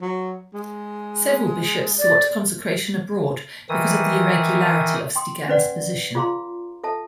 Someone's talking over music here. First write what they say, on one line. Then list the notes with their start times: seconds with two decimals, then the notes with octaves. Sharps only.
Several bishops sought consecration abroad because of the irregularity of Stigand's position.
0.01 F#3
0.54 G#3
1.99 D5
3.69 D#3 E3 D#6
5.16 G5 C6 D#6
5.48 C#4 B4 D5 F#5
6.15 F4 G#4 F5 A#5 C6
6.84 A4 E5 A5